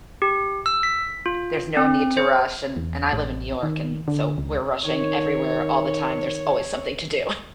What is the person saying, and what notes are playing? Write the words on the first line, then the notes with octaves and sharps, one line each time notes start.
There's no need to rush, and and I live in New York, and so we're rushing everywhere all the time, there's always something to do,
G4
E6
B6
F4
C4
C5
E2
A1
D#3
D3
C#2
D#3 C#5